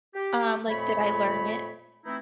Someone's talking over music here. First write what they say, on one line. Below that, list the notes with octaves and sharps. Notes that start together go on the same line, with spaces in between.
Um, like, did I learn it?
G4
F2 A#2 A3 C#5 B5
E3 A3 C4 D#4 E4